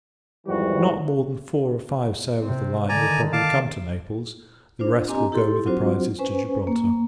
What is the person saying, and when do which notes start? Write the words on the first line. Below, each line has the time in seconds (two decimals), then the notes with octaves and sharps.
Not more than four or five sail of the line will probably come to Naples; the rest will go with the prizes to Gibraltar.
0.47 G#1 F2 E3 G3 F#4
2.41 C3 C4
2.89 D3 D#3 D5 G#5 A#5
3.33 F5 A5 D6
4.80 D4 F4 C5
5.08 C4 D4 G4 D#5 G#5 A#5
5.32 E4 G4 A4 C6
5.66 F#3 C4 D4 F4 F#4 C5
6.19 C#4 B4 C5 G#5
6.67 A#3